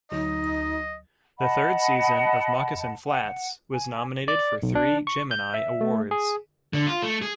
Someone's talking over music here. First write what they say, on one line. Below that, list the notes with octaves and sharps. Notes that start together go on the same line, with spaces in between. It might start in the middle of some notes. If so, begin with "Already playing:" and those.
The third season of "Moccasin Flats" was nominated for three Gemini Awards.
D2 F#3 D#4 D#5
D#5 F#5 A5 B5
F#5
G#5
D5
B1
D4
C#6
G6
E5
A3
G#4
D3
F4
A3
G#4